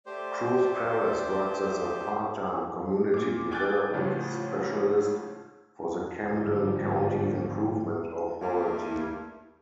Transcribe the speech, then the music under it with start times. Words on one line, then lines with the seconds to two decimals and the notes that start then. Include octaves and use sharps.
Cruz-Perez works as a part-time community development specialist for the Camden County Improvement Authority.
0.06 A3 G4 C5 D5
3.14 A#2 D6
3.51 G5 G#5 D6 F#6 G6 A6
3.94 A1 A2 C#3 F3
6.25 G1 E2 G#2 F3 G3
8.40 G2 A3 A#3 E5 F5